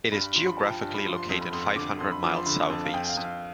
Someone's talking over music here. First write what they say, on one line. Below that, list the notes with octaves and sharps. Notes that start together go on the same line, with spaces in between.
It is geographically located five hundred miles south-east.
G2 B5
B5
F3 C6
B5
F3 A5
G5
G2 A5
B5
F3 C6
C6
F2 C6
B5
F2 C6
D3 D6
F2 C6
B5
F3 D6
C6
D3 B5
F2 A5
F5
F2 G5
G5
F5
F2
F5